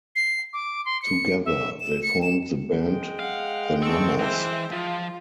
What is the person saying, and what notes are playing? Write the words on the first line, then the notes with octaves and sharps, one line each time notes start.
Together they formed the band "the Nommos".
C7
D6
C6
C#7
E5
E7
C#7
E7
G#3 G5
F5 F#5
C4 A4 C#6
E3 C5 E5
F3 F4